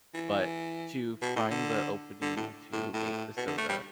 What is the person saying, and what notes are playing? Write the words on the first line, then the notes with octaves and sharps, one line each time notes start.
But to find the opening to make the soda,
E3
B2
A2
D3
D3
A2
A2
A2
B2
D3
A3
G3